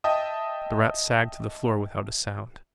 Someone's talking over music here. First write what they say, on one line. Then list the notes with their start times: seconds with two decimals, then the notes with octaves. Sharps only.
The Rat sagged to the floor without a sound.
0.04 D#5 E5 G5 A5 D#6